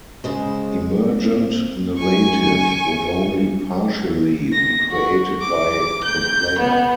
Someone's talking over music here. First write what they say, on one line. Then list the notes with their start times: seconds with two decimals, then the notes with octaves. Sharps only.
Emergent narrative would only partially be created by the player.
0.24 C#3 G#3 C5
1.18 C4
1.97 F#2 G#5 C#6
2.98 F2
4.53 A#6
4.91 F#4
5.41 D6
6.04 G6
6.60 B3